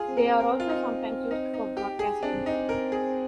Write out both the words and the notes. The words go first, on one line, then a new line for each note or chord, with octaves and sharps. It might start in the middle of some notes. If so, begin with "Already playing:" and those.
They are also sometimes used for broadcasting.
Already playing: F4 G#4
C4
A#4
A#4
F4
D#4
D#4
D#4
G4
G#4
C4 D4
D#4
A#4
G#4